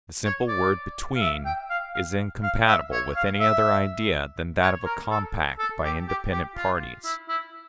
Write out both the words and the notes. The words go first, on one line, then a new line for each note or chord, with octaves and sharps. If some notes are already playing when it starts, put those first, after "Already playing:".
The simple word "between" is incompatible with any other idea than that of a compact by independent parties.
C#5
D5
F5
E5
G5
F5
F5
F5
E5
C#5
F5
E5
C#5
A#4
A4
A4
G4
G4
G4
F4
E4
E4